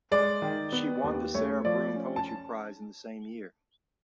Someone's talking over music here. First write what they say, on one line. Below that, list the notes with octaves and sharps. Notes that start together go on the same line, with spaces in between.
She won the Sarah Broom Poetry Prize in the same year.
G#3 D5
D#3
B3
D#2
A3 C#5
F3 D5
C#4
A5